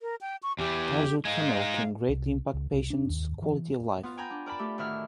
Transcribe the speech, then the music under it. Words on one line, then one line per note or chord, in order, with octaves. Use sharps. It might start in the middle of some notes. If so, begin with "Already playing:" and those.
Tarsal tunnel can greatly impact patients' quality of life.
A#4
G5
C#6
E2 E3 G4
G#3 D#4 F5
C2
C#2
C2
D4
D#2
E3
B3 F4
G5 G#5 A#5 B5 G6
D4
A#4 D5 A5 B5
A3 G4
D2 A2 D#3 E5 B5 F6